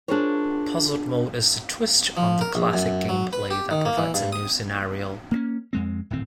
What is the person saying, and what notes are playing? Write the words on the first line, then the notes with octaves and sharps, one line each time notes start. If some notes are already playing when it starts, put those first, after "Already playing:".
Puzzle Mode is a twist on the classic gameplay that provides a new scenario.
D4 F4 G#4 A#4 C5 C#5
F3
A#4
A#1
F#2
F#3
B4
G4
D#3
A#3
E3
G2
D#6
A#3 B3 C#4
F2 G#3 C4
D1 G#1 A2 C4